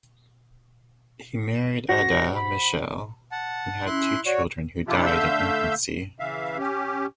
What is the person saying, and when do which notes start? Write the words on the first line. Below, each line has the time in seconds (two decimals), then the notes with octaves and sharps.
He married Adah Michell and had two children who died in infancy.
1.88 F#4 C5 F#5 A#6
2.34 B5
3.32 F#5 A5
3.86 C#4 E4 C6 F#6
4.26 F#4 C#5 D5
4.87 C3 F3 D4 E4 F4 G4
5.06 D3 A3 E5 F5 E6 G6
6.19 C#3 E3 E5 F5
6.58 C#4 G4